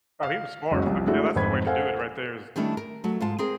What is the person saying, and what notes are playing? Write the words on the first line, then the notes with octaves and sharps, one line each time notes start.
Oh, he was smart, a and that's the way to do it, right there is
F5
F#1 C#2 F#4 C#5
C2 F3
G#3 A3 D4 E4 F#4 A4
G#1 F2 B4 B5 G#6
A4 C5 F5 F#5 G#5
D#3 G3 A3 C#4 D4 E4
A#4
F#3 A3
G#2 F4 A5
C4 G#4 A#4